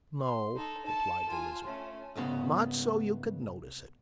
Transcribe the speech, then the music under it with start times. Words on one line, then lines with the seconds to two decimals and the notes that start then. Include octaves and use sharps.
"No," replied the Lizard; "not so you could notice it."
0.21 C6
0.56 D#4 A4
0.86 A4 A5
1.29 F4 G#5
1.66 A3 C#4
2.15 C2 G#2 C#3 B3